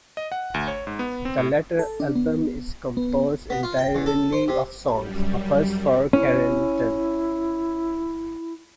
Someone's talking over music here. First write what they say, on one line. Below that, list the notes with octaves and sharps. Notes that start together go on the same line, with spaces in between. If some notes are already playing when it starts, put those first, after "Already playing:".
The latter album is composed entirely of songs, a first for Carrington.
D#5
F#5
D2
C#5
G#2
B3
C4
A2
A4
D4
B3
B3
B3
F4
G5
E2
A4
C5
C3
F#2 G3
C#4 E4